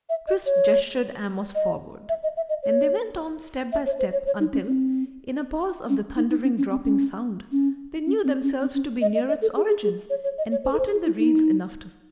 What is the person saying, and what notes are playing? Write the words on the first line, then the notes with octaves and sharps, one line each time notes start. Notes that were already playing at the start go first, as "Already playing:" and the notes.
Chris gestured Amos forward, and they went on step by step until, in a pause of the thundering dropping sound, they knew themselves to be near its origin and parted the reeds enough to see.
E5
D#5
C#5
D#5
E5
D#5
E5
D#5
C#5
E5
C#5
C5
C#5
C#5
D#4
C#4
C4
C#4
D#4
D#4
C#4
C#4
C4
C#4
C#4
C#4
C4
C#4
C4
C#4
D#5
D#5
D#5
A4
G#4
G#4
G#4
C#5
C#5
D#5
C#5
C5
A4
C5
G#4
E4
D#4